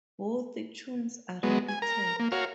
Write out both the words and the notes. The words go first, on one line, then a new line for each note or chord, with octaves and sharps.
Both tunes are repeated.
F#3 G#3 B3
G#5
A#4 A#5
A#3
F#4 A#4 C#5 F5